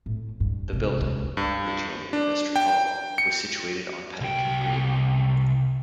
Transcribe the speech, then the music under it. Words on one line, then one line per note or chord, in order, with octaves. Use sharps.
The building, originally the Vestry Hall, was situated on Paddington Green.
A2
G2
C3 B3
C#2
G2
D4
G5
C#7
C2 G5